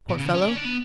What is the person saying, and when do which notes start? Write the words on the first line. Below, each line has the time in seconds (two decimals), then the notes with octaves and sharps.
Poor fellow!
0.09 B2
0.18 C#3
0.25 D3
0.34 C#4
0.42 D4
0.49 C#4
0.57 D4
0.65 B3